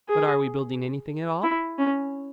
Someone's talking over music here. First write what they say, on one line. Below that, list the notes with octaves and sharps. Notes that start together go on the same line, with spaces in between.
"But are we building anything at all?"
G#4
E4
C#4